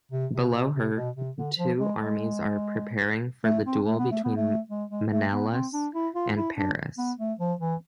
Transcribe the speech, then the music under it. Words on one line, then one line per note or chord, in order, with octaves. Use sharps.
Below her, the two armies are preparing for the duel between Menelaus and Paris.
C3
C3
B2
C3
B2
C3
D3
F3
G#3
G#3
A3
C4
A3
B3
A3
B3
A3
G#3
G#3
A3
B3
C4
D4
E4
F4
E4
D4
B3
A3
F3
E3